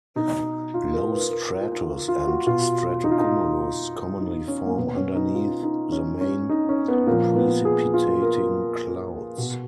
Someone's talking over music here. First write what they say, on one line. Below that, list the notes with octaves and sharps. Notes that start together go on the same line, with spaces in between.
Low stratus and stratocumulus commonly form underneath the main precipitating clouds.
B2 D#4
F4
A#4
B4
A#4
F4
F4
F#4
B2 F4
D#4
F4
D#4
D#4
C#4
A#3
B2 B3
C#4
D#4
F4
D#4
C#4
C#4
D#4
C#4
B3
A#2 F3 A#3
B3
G#4
F4
A#4
B2 F#4